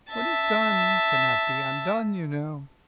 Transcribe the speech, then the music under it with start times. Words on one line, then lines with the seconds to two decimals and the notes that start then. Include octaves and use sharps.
What is done cannot be undone, you know.
0.11 E5 A5